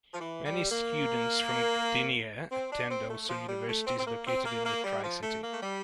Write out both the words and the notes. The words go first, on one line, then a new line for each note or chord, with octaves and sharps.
Many students from Gdynia attend also universities located in the Tricity.
F3
E3
G3
A#3
C4
D4
C4
A3
F3
G3
A3
C4
C4
A#3
C4
A#3
A#3
G3
F3
A3
A#3
A3
G3